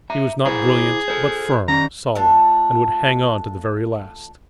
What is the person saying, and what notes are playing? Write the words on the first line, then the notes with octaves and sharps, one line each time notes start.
He was not brilliant, but firm, solid, and would hang on to the very last.
E5 A#5
E4 G#4 C5 A#5
A4 C5
D#3 C#4 A#5
A3 D4 F4 A4